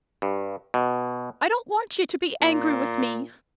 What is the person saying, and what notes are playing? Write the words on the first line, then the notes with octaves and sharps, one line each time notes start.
But I don't want you to be angry with me.
G2
B2
A#2